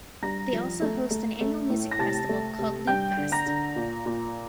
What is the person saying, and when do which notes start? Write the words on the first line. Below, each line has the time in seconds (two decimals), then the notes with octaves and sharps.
They also host an annual music festival called "Lutefest".
0.22 G2 A#5 A#6
0.53 F3
0.82 A3
1.11 A3
1.41 A3
1.70 A2
1.91 A#6
1.99 C3 A5 A6
2.29 A3
2.58 C3
2.87 G2 G5 G6
3.17 D3
3.32 A#5 A#6
3.46 D3
3.76 A#2
4.06 A#2